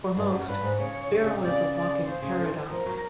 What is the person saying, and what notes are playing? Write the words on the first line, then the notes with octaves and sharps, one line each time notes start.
For most, Veril is a walking paradox.
G2
F#2
G2 B4
G#2
C#3 C#5
D3
C#3
C3
C#3 D5
D5
C#3 C5
C#3
D3
E3
F3 A#4
F#3